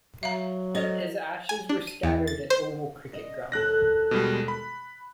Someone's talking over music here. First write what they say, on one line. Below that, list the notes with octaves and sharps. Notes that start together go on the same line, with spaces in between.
His ashes were scattered at the Oval cricket ground.
F#3 E5 F5 A#5
A4 C5 D5 D#5
G#5
D4
D#7
E2
A6
C5
D#5
D#2 A4 F#6 A#6
B2 G3 G#3
B5